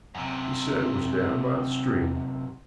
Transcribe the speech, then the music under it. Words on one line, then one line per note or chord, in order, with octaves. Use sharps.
He said it was down by the stream.
F#2 C3